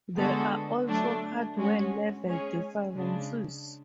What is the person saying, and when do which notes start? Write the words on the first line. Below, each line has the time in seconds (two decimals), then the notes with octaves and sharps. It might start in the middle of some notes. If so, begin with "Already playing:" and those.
There are also hardware-level differences.
0.17 D3 G#3 B3 F#4 A4
0.87 F#3 A3 D4
1.56 G#3 C#4 F#4
2.25 G#3 C#4 G#4 C#5
2.95 C#3 G#3 D4